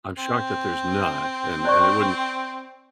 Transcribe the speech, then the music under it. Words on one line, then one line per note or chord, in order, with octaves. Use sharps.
I'm shocked that there's not, and and it wouldn't
C4
C5 D5 C#6